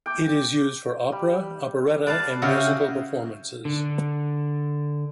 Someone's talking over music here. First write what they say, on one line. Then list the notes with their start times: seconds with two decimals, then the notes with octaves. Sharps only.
It is used for opera, operetta, and musical performances.
0.06 G5 D6
1.12 G3
2.07 B4 D5 F5 A5
2.42 C#3 F#4 C#5 E5 F5 G5
3.65 D3